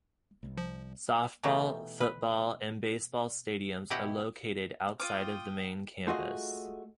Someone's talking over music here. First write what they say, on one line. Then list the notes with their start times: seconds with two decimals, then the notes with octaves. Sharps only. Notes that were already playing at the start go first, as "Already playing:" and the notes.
Softball, football, and baseball stadiums are located outside of the main campus.
0.43 C2
0.57 F3
1.43 B2 E3 A3 D#4 F4 G4
2.01 B4
3.90 B2 E4 G4 D#5 F#5 G5
5.00 F4 C#5 G5 D6 D#6 F6 D#7
6.07 A3 F4 F#4 G#4 D#5